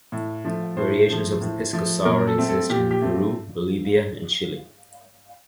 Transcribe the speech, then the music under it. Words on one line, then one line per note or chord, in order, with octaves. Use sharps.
Variations of the pisco sour exist in Peru, Bolivia, and Chile.
A2
F3 A3
A2 C5
F3 A3
A2
F3 A3
A#2 A#4
A4
A3 C4
A4
A#2 G4
G4
A3 C4